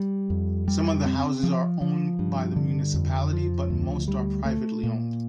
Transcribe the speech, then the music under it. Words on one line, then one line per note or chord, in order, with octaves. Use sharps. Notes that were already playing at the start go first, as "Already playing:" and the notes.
Some of the houses are owned by the municipality, but most are privately owned.
Already playing: G3
F2
G3
C4
F3
F3
G2
D3
F2
F3
D2
G3
A3
A#2